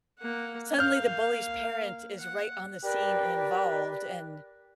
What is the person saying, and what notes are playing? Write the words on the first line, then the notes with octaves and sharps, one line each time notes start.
suddenly the bully's parent is right on the scene and involved, and,
A#3 F#5
A#3 F5 F6 G6
F#5
G4 A#4 B4 D5